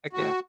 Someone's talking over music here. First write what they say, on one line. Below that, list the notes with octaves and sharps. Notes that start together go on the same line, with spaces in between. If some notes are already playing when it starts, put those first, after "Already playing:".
Heck yeah.
A2 F#4